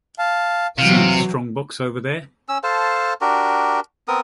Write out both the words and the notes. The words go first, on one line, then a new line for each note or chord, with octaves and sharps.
See the strong-box over there?
F5 A5
C3 E3 F#3 F5
C#4 E6
A4 C5 F5 A5
D4 F#4 G4 A#4
B3 C4 A#4 D#6